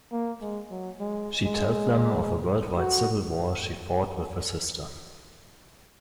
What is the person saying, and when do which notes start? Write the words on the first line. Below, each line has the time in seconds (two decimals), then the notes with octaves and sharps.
She tells them of a worldwide civil war she fought with her sister.
0.12 A#3
0.41 G#3
0.71 F#3
1.00 G#3
1.45 G#3
2.77 F#4